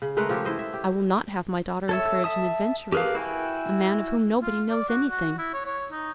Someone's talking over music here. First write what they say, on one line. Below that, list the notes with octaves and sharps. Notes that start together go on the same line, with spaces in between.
I will not have my daughter encourage an adventurer,--a man of whom nobody knows anything.
C#3
G#3 A3 A#4 B4
F3 F4 G4 E5
E4 C5 D#5
E5
G4
A4 C#5 E5
E5 A5 D#6
G4 G#4 A#4 B4 F5
E4 F#4 G5 G#5
F4
D5
F#4
F#4
E4
C#5
C#5
D#4